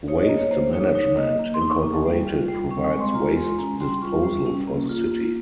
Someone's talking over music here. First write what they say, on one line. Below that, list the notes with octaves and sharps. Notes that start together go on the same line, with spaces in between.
Waste Management Incorporated provides waste disposal for the city.
D#4 C#5
D#5
A#3
C#5
A#3 C5
D#4 C#5
D#4 C#5
A#3 D#5
A#3
C6
D#4
C#6
A#3
G3
F4
G3
C4 C#6
C#6
G#3
C6
F4 A#5
G#3 C6
C#4 A#5
G3 C6
F4 C#6
G3
C#4
A#3
F4
A#3